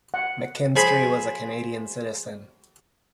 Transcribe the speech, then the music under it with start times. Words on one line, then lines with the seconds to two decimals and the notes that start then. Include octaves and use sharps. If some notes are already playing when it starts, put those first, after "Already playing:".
McKinstry was a Canadian citizen.
0.14 F#5
0.76 F3 G#4 B5